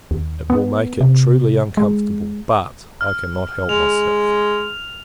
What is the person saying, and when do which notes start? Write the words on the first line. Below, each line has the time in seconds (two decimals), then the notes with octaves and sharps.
It will make it truly uncomfortable; but, I cannot help myself.
0.11 D#2
0.50 B3
1.01 C3
1.77 G#3
3.01 F6
3.69 G#3 F7